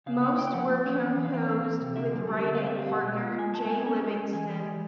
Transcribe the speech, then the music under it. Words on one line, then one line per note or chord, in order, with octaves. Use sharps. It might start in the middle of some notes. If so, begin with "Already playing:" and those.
Most were composed with writing partner Jay Livingston.
C#3 F5
C#4 F5
A#3 G5
G5
F3 F#5
A#3
C#4
E3 F#5
E3
F5
C4
E3 F5
C4
C3
D3 E5
F#2
G3
D3 E5
F5
C4
E5
G3 F5
B2 F#5
G#3
F4
G#3 G#5
G#3 A5
C4 G#5
C#4 G#5
G#3
G#3
E3 G#5
G#3
E3